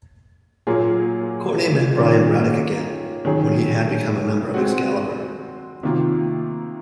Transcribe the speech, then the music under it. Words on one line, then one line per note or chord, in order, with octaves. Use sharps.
Courtney met Brian Braddock again, when he had become a member of "Excalibur".
A#2 F#3 A#3 F4 G#4
D#3 A#3 C#4 F4
D#3 F#3 C#4 G#4
G#3 C4 F#4
C3 D#3 A#3 F4